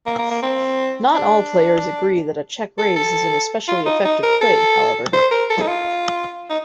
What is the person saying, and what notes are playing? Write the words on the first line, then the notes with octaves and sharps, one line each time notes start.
Not all players agree that a check-raise is an especially effective play, however.
A#3
A#3
A#3
C4
D4
A4
A4
F4
D#4
D#4
A#4
A4
C5
A#4
A4
D#4
F4
D#4